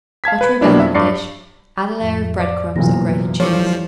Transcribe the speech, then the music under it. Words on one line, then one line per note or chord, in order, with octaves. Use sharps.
Butter a baking-dish; add a layer of bread-crumbs and grated cheese.
F5 A5 G#6 B6
B4 B5
B2 F#3 A#3 D4 E4
F2 E5
G2 D5 C7 C#7
F2 A2 F3
D5
F#1 B1 A#2 E3 F#3 A#6
F3 G3 E4 A4 C#5 D6 C#7